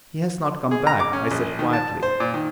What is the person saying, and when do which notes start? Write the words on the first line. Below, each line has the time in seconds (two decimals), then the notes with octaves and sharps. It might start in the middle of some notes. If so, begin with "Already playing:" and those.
"He has not come back," I said quietly.
0.71 G#4
0.87 A#5
1.00 D6
1.13 C#4
1.31 A#1
1.59 D#3
1.73 A5
2.03 C5
2.20 A#2
2.34 D#3